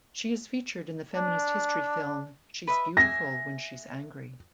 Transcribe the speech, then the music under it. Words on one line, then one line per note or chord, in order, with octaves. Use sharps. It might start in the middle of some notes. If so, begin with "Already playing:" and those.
She is featured in the feminist history film "She's Beautiful When She's Angry".
D4
B4 D#5 E5
E5 G#5 A#6